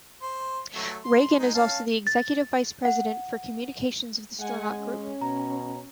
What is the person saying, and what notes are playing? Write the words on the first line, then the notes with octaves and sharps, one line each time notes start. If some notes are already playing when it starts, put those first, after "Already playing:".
Regan is also the executive vice president for communications of the Stronach Group.
C5 C6
F#3 A3
C6
G#3 D#4
C#4 F5 A5
A6
F#5
G#3 F#5 G#5
C#4
B2 A#5